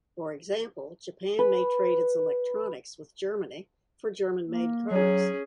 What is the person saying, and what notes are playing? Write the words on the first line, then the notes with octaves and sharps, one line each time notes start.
For example, Japan may trade its electronics with Germany for German-made cars.
B4
A#3
F#3 C#4 G#4